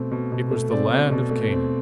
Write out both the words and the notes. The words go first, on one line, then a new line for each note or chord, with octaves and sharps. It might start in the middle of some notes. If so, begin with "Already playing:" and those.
It was the land of Canaan.
Already playing: B2 A3 C4
B2
B2
A3
C4 D5
B2
B2
A3
C4